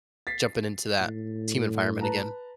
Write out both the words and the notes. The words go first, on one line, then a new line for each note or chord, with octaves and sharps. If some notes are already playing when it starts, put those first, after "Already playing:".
jumping into that team environment again.
A6 B6 C7
A2
B4 A5 A#5